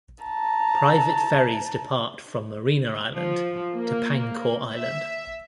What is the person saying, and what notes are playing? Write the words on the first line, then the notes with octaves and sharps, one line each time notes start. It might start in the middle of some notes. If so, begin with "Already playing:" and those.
Private ferries depart from Marina Island to Pangkor Island.
A5 A#5
F3
A#3
E5